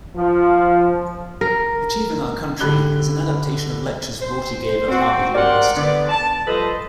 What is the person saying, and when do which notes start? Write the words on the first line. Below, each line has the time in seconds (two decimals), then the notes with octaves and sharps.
"Achieving Our Country" is an adaptation of lectures Rorty gave at Harvard University.
0.16 F3
1.41 A#4
2.60 D3 G4 B5 F#6 G7
4.21 C5
4.89 C4 F#4
5.35 G4 A#4 D5 F#5 G5 C6
5.77 D3 B3 D5
6.09 A5
6.47 F3 G3 A4 B4 C5 D#5